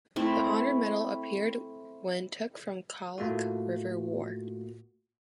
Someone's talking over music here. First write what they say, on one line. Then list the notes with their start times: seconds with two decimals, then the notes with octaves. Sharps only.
The honor medal appeared when took from Khalkh river war.
0.16 A3 C4 E4
3.18 A2 A3 A#3 F4 F#4